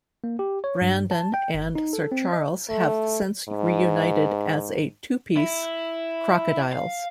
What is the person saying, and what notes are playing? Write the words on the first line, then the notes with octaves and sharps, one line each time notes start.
Brandon and Sir Charles have since reunited as a two-piece; Crocodiles.
A#3
G4
C#5
G2
A5
G5
G1
D#4
A4
C4
D#5
A3
G#2
E4
F5